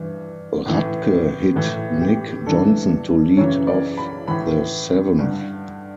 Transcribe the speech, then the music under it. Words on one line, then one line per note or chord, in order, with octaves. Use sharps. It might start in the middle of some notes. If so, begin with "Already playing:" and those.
Radke hit Nick Johnson to lead off the seventh.
Already playing: G2 E3
A2 E3
A2 E3 B4
G4
G2 E3 A4
F#2 C#3 E3 C#5
D5
B5
A2 E3 B5
G2 D3